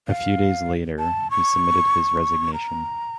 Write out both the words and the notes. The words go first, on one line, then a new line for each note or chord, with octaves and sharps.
A few days later, he submitted his resignation.
F5
A5
C#6
A#5